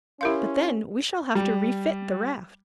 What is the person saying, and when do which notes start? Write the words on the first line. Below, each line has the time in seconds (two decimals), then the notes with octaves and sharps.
"But then we shall have to refit the raft."
0.21 C#4 E4 G4 A#4 F5 C6
1.35 G3